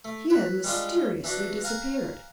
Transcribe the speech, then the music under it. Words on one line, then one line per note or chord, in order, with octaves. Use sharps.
He had mysteriously disappeared.
A3
B4
G3 G#3 D4 F4
E3 D4 F#4
F5 F#5 G#5 A#5